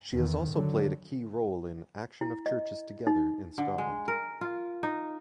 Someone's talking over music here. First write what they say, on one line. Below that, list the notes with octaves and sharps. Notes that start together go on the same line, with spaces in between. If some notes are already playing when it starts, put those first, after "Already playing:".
She has also played a key role in Action of Churches Together in Scotland.
E2 D#3
D3 F#3
E4
D#5
D#4
D3
G#3
A#4
F4
D#4